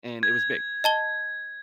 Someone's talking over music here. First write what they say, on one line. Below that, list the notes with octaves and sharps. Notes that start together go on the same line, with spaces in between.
and it was big.
G#6
D#5 A5 G7